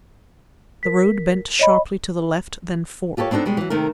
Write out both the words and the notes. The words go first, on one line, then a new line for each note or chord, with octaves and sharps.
The road bent sharply to the left then forked.
A#4 B6
C#5 D#5 B5
F4 G4 A4 B4 C#5
B3 C4 D4 D#4 A4
B2 G3 G#3
E3 F#3
C3 D#3 A3 A#4